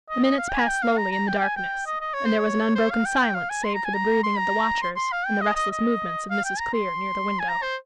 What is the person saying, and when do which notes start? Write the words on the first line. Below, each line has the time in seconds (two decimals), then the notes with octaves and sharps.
The minutes passed slowly in the darkness, and there was an unbroken silence save for the breathing of the watchers and the restless movements of Mrs. Clear near the window.
0.10 D#5
0.25 D#5
0.38 F5
0.49 G5
0.54 G#5
0.69 G5
0.83 F5
0.98 A#5
1.12 A#5
1.28 G5
1.42 G#5
1.56 G5
1.87 D#5
2.01 D#5
2.14 C#5
2.26 C5
2.38 C#5
2.75 C5
2.90 F5
3.05 G5
3.20 G5
3.35 F5
3.50 G#5
3.64 C6
3.75 A#5
3.85 G#5
3.94 A#5
4.23 C6
4.38 A#5
4.82 C6
4.96 C6
5.12 F5
5.26 G5
5.41 D#5
5.56 D#5
5.71 D#5
6.31 F5
6.45 G5
6.60 A#5
6.74 C6
7.40 G#5
7.49 A#5
7.63 C5